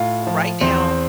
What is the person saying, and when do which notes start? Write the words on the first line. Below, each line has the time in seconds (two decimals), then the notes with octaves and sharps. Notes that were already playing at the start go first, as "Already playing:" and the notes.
for right now,
Already playing: A2 F4 F5
0.27 F3
0.61 E2 C4 C5